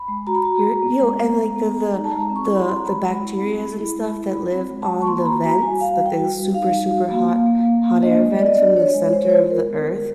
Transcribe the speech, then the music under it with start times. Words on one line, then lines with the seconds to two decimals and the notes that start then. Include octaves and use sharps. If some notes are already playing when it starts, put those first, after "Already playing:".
You're you and like the the the the bacterias and stuff that live on the vents that those super, super hot hot air vents from the center of the Earth,
Already playing: B5
0.08 G#3
0.27 F#4 A#5
0.35 B5
0.42 F#4 A#5
0.64 F#4
0.82 B3
1.01 G#3
1.19 B3
1.38 G#3
1.56 B3
1.75 G#3
1.94 D#4
2.04 A5
2.11 G#3 A#5
2.30 C4
2.36 C#6
2.49 E4
2.54 B5
2.61 C6
2.67 C4
2.76 A#5
2.85 G#3 B5
3.04 G#3
3.23 E4
3.41 C4
3.59 G#3
3.78 E4
3.96 G#3
4.15 E4
4.33 G#3 B5
4.52 C4
4.70 G#3
4.82 A5
4.88 G#3
5.02 C#6
5.07 A#3 C6
5.21 B5
5.26 F#4 A#5
5.43 F#4 A#5
5.62 G3 G#5
5.81 F#4 F5
6.00 G3
6.06 G5
6.18 F#4
6.36 G3
6.54 D#4 F5
6.73 G3
6.91 F#4
7.11 A#3
7.28 A#3
7.46 A#3
7.65 A#3
7.84 A#3
8.02 D4 D#5
8.21 G#3
8.39 B3 D5
8.46 D#5
8.55 D4 D5
8.76 D4 C#5
8.94 G#3
9.13 G#3 C5
9.22 C#5
9.30 F4 C5
9.50 G#3 A#4
9.68 B3
9.87 G#3